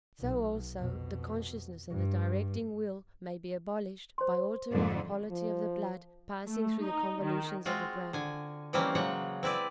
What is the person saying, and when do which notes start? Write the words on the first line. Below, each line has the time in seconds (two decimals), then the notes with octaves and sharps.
So, also, the consciousness and the directing will may be abolished by altering the quality of the blood passing through the convolutions of the brain.
0.20 B1
0.75 F2 B2
1.90 G2
4.18 C5 C6
4.70 F2 G#2 D3
5.31 F3
6.47 A3
6.81 D#4
7.21 D#3
7.66 G#3 C4 F4 F#4
8.13 D3 G#5
8.73 E3 F3 G3 A#3 C4 C#4
8.95 C#3 F#3 G#3 F#5 G5
9.43 C4 E4 B4 D5